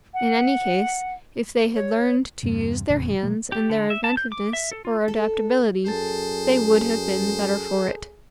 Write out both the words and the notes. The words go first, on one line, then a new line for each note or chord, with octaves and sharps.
In any case, if they had learned to use their hands and their inventiveness or adaptability, they would have been the better for it.
F#5
C#5
E2 G2 C3
F1 E2 A2 C#3
B2 F#3 A3 A#3
G4
D3
E5
A5
G6
D6
E5
A4
F4
A4
F#2 G#4 A4 C5 A5